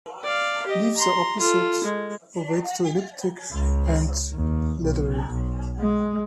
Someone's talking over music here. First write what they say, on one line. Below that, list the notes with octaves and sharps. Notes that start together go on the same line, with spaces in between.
Leaves are opposite, ovate to elliptic, and leathery.
D5 F5
G4 D#5
A#5 C6
F4 A4
G#3
C#2
D#2
B1
B1
G#3